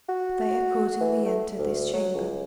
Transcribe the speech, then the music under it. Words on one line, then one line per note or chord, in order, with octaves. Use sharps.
They accordingly entered his chamber.
F#4
E3
A3
D2
F#3
C#2